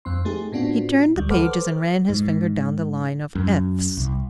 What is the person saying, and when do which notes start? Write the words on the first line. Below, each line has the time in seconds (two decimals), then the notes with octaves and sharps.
He turned the pages and ran his finger down the line of "Fs."
0.05 F2 C4 C6
0.25 A3 C4 D#4 G4 G#4
0.52 A2 B3 C4 D4 F4 F#4
1.16 D2 G3
1.30 A4 B4 C5 F#5 D6 F6
2.09 G#2
3.35 F#2
3.97 C2